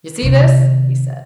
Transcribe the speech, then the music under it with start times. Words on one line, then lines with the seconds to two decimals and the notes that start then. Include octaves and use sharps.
"You see this?" he said.
0.22 C3 D#3